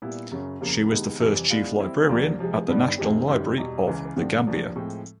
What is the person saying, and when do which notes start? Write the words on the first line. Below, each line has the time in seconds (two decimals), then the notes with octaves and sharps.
She was the first Chief Librarian at the National Library of The Gambia.
0.02 A#2 G3 B3 E4
0.31 F#2 C#3 F#3
0.61 E2 C#3 F3 A#3
0.91 C3 D#3 G#3 B3
1.20 F2 C3 E3 G3
1.50 G#3 B3 D4 F4
1.79 G3 C4 E4 G4
2.09 D2 C3 F3 A#3 D4
2.39 C3 F3 G#3
2.68 G2 D#3 G3 B3 D4
2.98 F2 C3 D#3 G#3 C4
3.28 F#2 D#3 G3
3.58 E2 B2 G3
3.87 C#2 C#3 E3
4.16 G2 D3 F3 A3 C4
4.46 D2 C3 F3 A#3 D4
4.76 A2 F3 G#3 C4